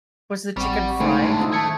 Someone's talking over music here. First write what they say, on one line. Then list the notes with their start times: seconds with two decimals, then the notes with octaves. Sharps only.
Was the chicken fried?
0.57 A1 G3 C4 F#5 G5 C#6
1.00 C#3 G#3 A3 D#4 C5 C6
1.21 A2 D3
1.40 D#4 F4 D#6 E6
1.53 D#3 A3 A5 G#6 C#7